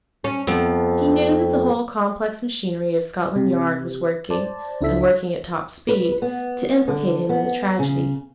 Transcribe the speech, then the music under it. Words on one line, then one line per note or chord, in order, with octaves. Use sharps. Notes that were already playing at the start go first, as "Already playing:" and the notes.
He knew that the whole complex machinery of Scotland Yard was working, and working at top speed, to implicate him in the tragedy.
C#4
F2 B3
C3 G4
C5 D5 A5
C#2 D4 E4 A4 E5 B6
B4
B3
D3
B3
C#3